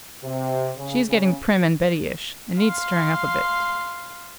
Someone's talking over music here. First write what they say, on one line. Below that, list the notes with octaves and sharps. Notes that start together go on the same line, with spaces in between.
She is getting prim and Bettyish, and needs stirring up a bit.
C3
C#3
C#3
F5 C6